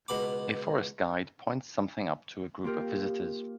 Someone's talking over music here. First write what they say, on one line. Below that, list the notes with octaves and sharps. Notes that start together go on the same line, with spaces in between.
A forest guide points something up to a group of visitors.
C#2 B2 B5 D6
A#3 F4 G4 A#4